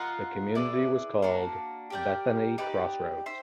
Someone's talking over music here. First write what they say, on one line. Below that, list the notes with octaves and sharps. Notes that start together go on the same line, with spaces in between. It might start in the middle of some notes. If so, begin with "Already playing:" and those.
The community was called "Bethany Crossroads".
Already playing: F4 A#4 D#5 F#5
E4 G#4 B4 D5
A#3 D4 F#4
G4 A#4 D5 G5
D#4 G4 B4 D5
C5 E5